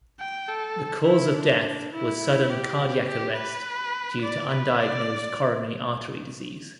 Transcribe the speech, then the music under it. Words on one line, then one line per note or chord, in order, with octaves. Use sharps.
The cause of death was sudden cardiac arrest due to undiagnosed coronary artery disease.
G5
A4
E4
D4
E4
E4
G4
G4
B4
D5
B4
D5